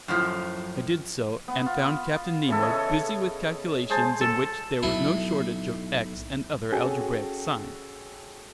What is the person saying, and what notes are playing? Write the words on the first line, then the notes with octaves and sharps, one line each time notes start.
I did so and found Captain Nemo busy with calculations in which there was no shortage of X and other algebraic signs.
F#2 A2 F3
B3
F4
C#3 E3 A4
C#5 D#5
G#3 G#4 C5 A5
A4
B1 A2 E4
C#4 F#4 G#4 A4 G5 G#5